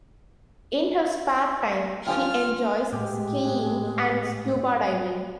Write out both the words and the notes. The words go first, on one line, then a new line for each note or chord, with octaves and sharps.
In her spare time she enjoys skiing and Scuba diving.
G1 G2 F3 F4 G5 G#5 F6
A2 G#3 G4